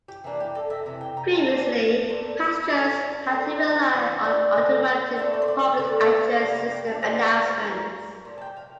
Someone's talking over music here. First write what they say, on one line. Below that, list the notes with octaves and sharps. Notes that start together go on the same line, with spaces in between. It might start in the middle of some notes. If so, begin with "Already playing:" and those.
Previously, passengers had to rely on automated public-address system announcements.
G4
E3 A#3 D4
G4
A4
E5
C3 E3
G5
A#5
A5
E3 G3 A#3 D4
A#2 A3 D4
D3 F3 A3 A5
E5
A4
A#2 G3 D4 A#4
C5
E3 G3 C4 D5
D5
D3 F3 C4
A#2 A3 D4 E5
D5
C5
D5
E5
D3 G3 A#3
F5
E5
C3 G3 A#3 D5
F5
G5
A5
D5
E3 G3 D4 C5
F4
E5
C5
E3 A#3 D4 A#5
A#2 F3
A5
G5
F5